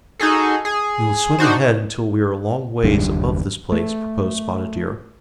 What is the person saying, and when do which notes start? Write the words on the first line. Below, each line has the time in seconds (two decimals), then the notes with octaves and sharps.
"We will swim ahead until we are a long ways above this place," proposed Spotted Deer.
0.20 D#4 F#4 G#4 A4
0.65 G#4
1.38 D4 D#4 F#4 C5
2.83 F#1 D#2 G3 D4
3.72 A3